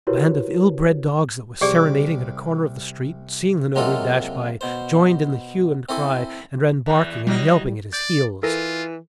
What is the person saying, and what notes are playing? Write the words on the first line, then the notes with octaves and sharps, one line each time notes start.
A band of ill-bred dogs, that were serenading at a corner of the street, seeing the notary dash by, joined in the hue and cry, and ran barking and yelping at his heels.
E4 F#4 G4 A#4 B4 C#5
C2 G4 G#4 D5 D6
C3 F#3 G#3 A#3 F4 A4
B2 C5
C4 E4 A4 G#5
E2 E3
E3 F#3 G3 D#5
D5 G6
E3 F4 A4 A#4 A#6